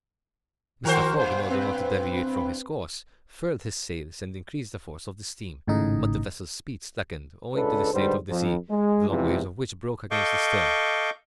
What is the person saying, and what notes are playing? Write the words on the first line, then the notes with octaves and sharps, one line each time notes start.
Mr. Fogg, in order not to deviate from his course, furled his sails and increased the force of the steam; but the vessel's speed slackened, owing to the state of the sea, the long waves of which broke against the stern.
D#3 F#4 A#4 C5
G2 A#2 C5
C4 B4
G#1 A2 C#3 D#4 D#5
C#2 D4 A4 B4
G#2 D3 G3 B4 C5
F2
G#3
E2 G#2 C3 E3 F3
A4 D#5 F5 C#6 D6 G6